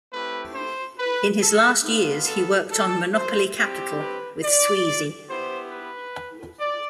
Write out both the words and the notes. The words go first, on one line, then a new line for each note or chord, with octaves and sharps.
In his last years he worked on "Monopoly Capital" with Sweezy.
A3 C4 E4 G4 B4
C5
B4
A4
B3 D4 F4
A4
A4
C5
G3 C4 E4 G4
B4
D5
B3 E4 G4 C5
B4
D5